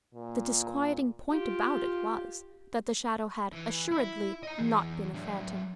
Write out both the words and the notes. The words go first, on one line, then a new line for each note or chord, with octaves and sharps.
The disquieting point about it was, that the shadow had assuredly not been a phantom.
A#2
F4 G4
E3
E4
D#5 A#5
E3 G#4
F#3 D4